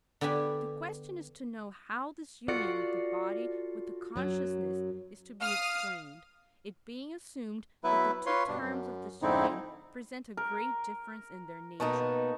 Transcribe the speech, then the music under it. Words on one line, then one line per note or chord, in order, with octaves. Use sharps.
The question is to know how this union of the body with the consciousness is to be explained, it being assumed that the two terms of this union present a great difference in their nature.
D3 B3 G4 G#5 B5
F4 F#4 A4 D5 F#5
F#2 F#3
F5 D#6 F6
F#3 B3 E4 B4 E5
F4 B4 C#5 C6
G2 B2 D4
F#2
F2 G#2 D3 C4 D#4 E4
A#4
B2 A#3 B3 D#4 A5 C#6